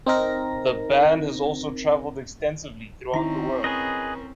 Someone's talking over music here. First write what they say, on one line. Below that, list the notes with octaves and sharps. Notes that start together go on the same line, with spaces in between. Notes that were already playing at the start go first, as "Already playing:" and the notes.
The band has also traveled extensively throughout the world.
C4 D#4 A#4 A#6
D#3 C4 C#4 D#4 E4 A#5
G#4 A#4 B4 D#5